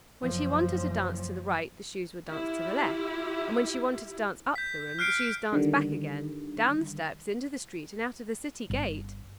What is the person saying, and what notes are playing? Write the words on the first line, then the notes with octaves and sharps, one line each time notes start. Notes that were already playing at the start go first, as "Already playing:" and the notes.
When she wanted to dance to the right, the shoes would dance to the left, and when she wanted to dance up the room, the shoes danced back again, down the steps, into the street, and out of the city gate.
F#1 F3
E4 F4 G4
G6 B6
F6 F#6 C7 D7
D3 D#3 G3
G1